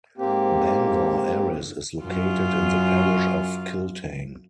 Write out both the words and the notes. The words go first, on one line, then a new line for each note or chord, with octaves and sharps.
Bangor Erris is located in the Parish of Kiltane.
G#2 A#3 C4 G4
F#2 F4